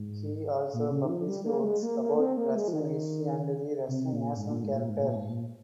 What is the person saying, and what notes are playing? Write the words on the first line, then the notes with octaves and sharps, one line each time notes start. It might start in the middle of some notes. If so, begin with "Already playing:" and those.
He also published works about Russian history and the Russian national character.
Already playing: G#2
A#2
C#3
D#3
F3
G3
A#3
G#3
A#3
A#3
C4
A#3
G#3
F3
D#3
C3
C3
A#2
G#2
A#2
G#2
A#2
G#2
A#2
G#2
A#2